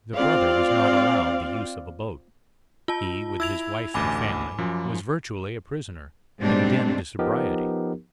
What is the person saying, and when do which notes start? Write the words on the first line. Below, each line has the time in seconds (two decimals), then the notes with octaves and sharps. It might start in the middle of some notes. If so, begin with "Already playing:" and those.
The brother was not allowed the use of a boat; he, with his wife and family, was virtually a prisoner, condemned to sobriety.
0.14 C4 F4 D5 F5
2.88 F4 A5
3.40 E4 E6 G#6 F7
3.94 A1 D2 G#5 B5 D6
4.58 F#2 F3
6.40 G#2 B2 G3 A3 C4 D4
7.19 F3 B3 D#4 G4 A#4